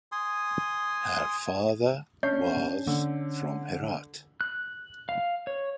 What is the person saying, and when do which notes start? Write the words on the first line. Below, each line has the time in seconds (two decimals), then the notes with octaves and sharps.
Her father was from Herat.
0.12 G#5 C6 D#6
2.23 C#4 D4 C#5 G6 C7
2.87 D3
4.41 F#6
5.09 F5
5.47 C#5